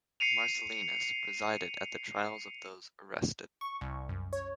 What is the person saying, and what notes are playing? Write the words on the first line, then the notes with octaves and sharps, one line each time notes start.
Marcellinus presided at the trials of those arrested.
C7 C#7 D#7 F7
C#6
C2
F#2
C#5